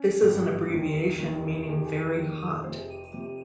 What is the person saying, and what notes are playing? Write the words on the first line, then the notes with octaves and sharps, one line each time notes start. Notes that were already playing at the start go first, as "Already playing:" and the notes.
This is an abbreviation meaning 'very hot'.
Already playing: C#4
G#1 G2 G3
F1 D#2 D#3
F1 D#2 D#3
F1 D#2 D#3 G#4
G4
G#4
F1 D#2 D#3
F1 F2 C3 C5
G#4
G4
G4
F1 F2 C3 G4